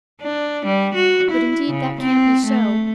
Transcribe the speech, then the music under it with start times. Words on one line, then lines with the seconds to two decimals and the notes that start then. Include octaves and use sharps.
But indeed that can't be so.
0.21 D4
0.66 G3
0.95 F#4
1.31 E4
1.68 C#3
2.01 C4
2.46 A3